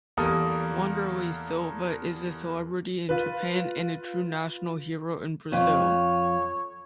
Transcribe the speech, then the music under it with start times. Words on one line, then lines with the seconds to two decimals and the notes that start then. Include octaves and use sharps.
Wanderlei Silva is a celebrity in Japan and a true national hero in Brazil.
0.17 E2 G3 A#3 A4 A#4 D#6
3.09 F4 B4
5.52 F2 C#5